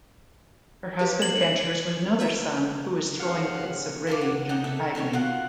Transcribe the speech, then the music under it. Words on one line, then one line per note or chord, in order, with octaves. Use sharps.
Her husband enters with another son who is throwing fits of rage and agony.
G4 B4 F5
C5 G#6 F#7
B4 E5 A#5
G2 C#3 F5 F#5
F4 A4 B5 D6
F#5
D#4 D#5 F#5 G5
A4 E5
D#4 A4 C5 C#5
F4 F#4 A#4 F#5